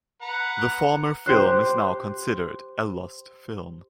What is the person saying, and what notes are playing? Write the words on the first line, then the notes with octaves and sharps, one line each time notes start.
The former film is now considered a lost film.
B4 F#5 A#5
G4 C5 F#6